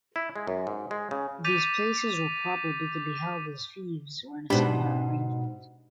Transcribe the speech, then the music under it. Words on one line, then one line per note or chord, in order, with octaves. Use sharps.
These places were probably to be held as fiefs or in a similar arrangement.
E4
G#3
F#2
G#2
G#3
C#3
D6 G6 A6 B6 D#7 F7
G#2 B2 D4 G4 B5